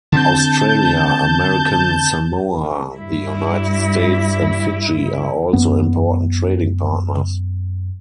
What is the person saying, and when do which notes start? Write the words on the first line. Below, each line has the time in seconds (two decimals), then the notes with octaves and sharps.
Australia, American Samoa, the United States, and Fiji are also important trading partners.
0.12 D3 C4 A5 G6
2.95 G2 E4
5.53 F#2 B3